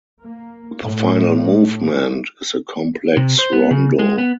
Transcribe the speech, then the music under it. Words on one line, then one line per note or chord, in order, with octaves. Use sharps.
The final movement is a complex rondo.
A#3
A2
C3
C5
B3
C#3
G#3
B3